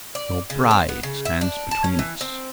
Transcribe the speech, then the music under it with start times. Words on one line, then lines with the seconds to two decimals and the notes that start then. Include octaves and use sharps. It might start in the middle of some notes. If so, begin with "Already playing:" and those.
"Your bride stands between us."
0.15 D5
0.50 C#3
0.71 C4
0.89 B3
1.03 C#3
1.25 E5
1.41 D4
1.71 A5
1.84 C#4
1.99 E3
2.21 C4